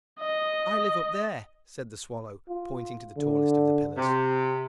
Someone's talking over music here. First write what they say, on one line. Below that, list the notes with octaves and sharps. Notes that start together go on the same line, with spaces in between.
'I live up there,' said the swallow, pointing to the tallest of the pillars.
D#5
F4
D3
C3